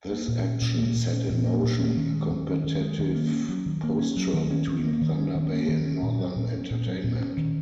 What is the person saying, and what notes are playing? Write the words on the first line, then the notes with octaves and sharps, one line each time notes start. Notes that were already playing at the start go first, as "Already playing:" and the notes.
This action set in motion a competitive posture between Thunder Bay and Northern Entertainment.
A#3
A#2
C#4
A#2
A#3
A#2
C#4
A#2
A#3
A#2
C#4
D#3
G#3
D#3
C#4
D#3
G#3
D#3
A#3
C#4
F#3
D#3
A#3
C#4
F#3
D#3
C#4
D#3
A#3
D#3
C#4
D#3
A#3
D#3
C#4
A#2
F#3
A#2
C#4
A#2
F#3
A#2
C#4
D#3